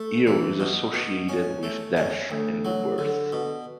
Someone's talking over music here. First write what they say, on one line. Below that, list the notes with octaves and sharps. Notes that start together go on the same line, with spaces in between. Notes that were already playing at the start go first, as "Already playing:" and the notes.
Yew is associated with death and rebirth.
Already playing: A3
E3
B2
B2
C#4
A3
C#4
D2
F#3
D3
B2